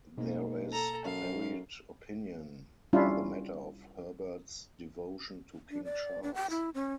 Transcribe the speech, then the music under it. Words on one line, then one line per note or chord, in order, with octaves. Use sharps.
There is varied opinion on the matter of Herbert's devotion to King Charles.
G#2 B2 A#3
A4 A#5
F#2 F5
G3 C#4 D4 E4 F4
D4
D5
D4
G5
E4
C#4